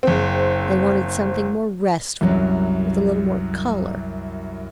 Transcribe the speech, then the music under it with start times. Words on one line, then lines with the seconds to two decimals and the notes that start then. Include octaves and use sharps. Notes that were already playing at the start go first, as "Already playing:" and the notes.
They wanted something more restful, with a little more colour.
0.03 F#1 C4
2.21 C2 F#2 F#3